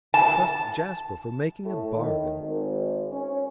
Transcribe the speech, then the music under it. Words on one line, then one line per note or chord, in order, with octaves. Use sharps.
Trust Jasper for making a bargain!
A5
A2
D#3
G#1
C#4